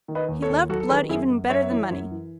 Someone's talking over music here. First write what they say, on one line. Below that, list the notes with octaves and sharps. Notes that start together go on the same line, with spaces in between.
He loved blood even better than money.
D#3
B4 D#5
D#2
A4 C#5
D#2
F#3 F#4 A4
A4
D#3 G#4 B4
F#2 E4 G#4
F#2
F#2 C#5 E5
E3
F#2
E3